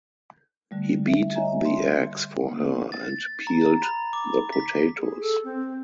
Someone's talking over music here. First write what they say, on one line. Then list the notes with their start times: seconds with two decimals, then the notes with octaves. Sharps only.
He beat the eggs for her and peeled the potatoes.
0.71 D3 G3 A3
1.08 E5
1.36 C#5 D#5 E5 G#5 A#5
1.65 C6
2.49 A#3
2.92 A6
3.47 A#5
3.82 B5
4.13 D6
4.53 B6
4.97 G#4
5.21 A4
5.44 C4